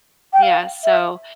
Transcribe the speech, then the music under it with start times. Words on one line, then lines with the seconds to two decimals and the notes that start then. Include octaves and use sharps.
yeah, so,
0.33 G5
0.43 F5
0.84 E5